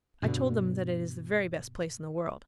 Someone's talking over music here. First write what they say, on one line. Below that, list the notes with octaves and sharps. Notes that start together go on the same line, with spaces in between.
I told them that it is the very best place in the world.
G2 B2 D3